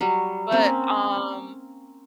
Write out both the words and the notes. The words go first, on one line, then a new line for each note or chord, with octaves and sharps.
But, um,
F#3 G3
A#3 C4 C#4